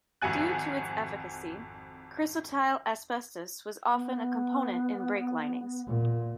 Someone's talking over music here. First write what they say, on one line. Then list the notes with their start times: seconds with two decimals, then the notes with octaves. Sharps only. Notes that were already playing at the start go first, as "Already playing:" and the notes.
Due to its efficacy, chrysotile asbestos was often a component in brake linings.
0.22 G#1 F2 F#4 G#5 F#6
3.93 B3
5.87 A#2